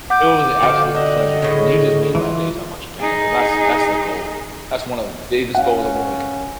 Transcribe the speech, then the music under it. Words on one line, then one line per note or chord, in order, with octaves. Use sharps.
It was an absolute pleasure, and you just made my day talking about Japan, 'cause that's that's the goal. That's one of the biggest goals I wanna make.
F#5 D6 G6
D3 F3 F#4 G5
D4 D#5
A2 C#3
E3 F4
D#4 G#4
C#4 F5 F#5